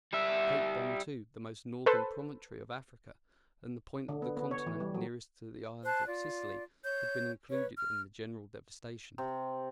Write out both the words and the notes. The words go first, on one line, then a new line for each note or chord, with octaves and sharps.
Cape Bon, too, the most northern promontory of Africa and the point of the continent nearest to the island of Sicily, had been included in the general devastation.
G3 E5
A4 B4 C5
D3
B3
B3
C#5
E3
G3
F#3
C5 A5 F#6
F4 D5
C#5 G6
B4 C#5
F6
C3